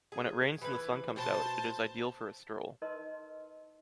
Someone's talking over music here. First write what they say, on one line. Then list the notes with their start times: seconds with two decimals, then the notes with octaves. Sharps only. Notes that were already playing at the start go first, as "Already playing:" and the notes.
When it rains and the sun comes out, it is ideal for a stroll.
0.12 G#4
0.62 E3 B4
1.16 B2 C5 A5
2.82 D#4 A#4 B4 D#5 A5 C6